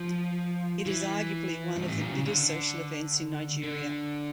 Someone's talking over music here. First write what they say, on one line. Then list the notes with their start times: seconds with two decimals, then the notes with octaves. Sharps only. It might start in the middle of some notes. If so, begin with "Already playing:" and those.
It is arguably one of the biggest social events in Nigeria.
Already playing: F3
0.86 E3
1.76 G2
1.88 A2
2.00 A#2
2.12 C#3
2.25 D3
3.63 D3